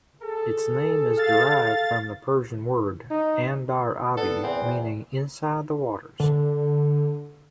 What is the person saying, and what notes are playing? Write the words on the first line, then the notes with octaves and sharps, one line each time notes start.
Its name is derived from the Persian word "Andar-abi" meaning "Inside the waters".
G#4 A4
F5 A6
D#4
B3 A4 D5
E2 C4
D3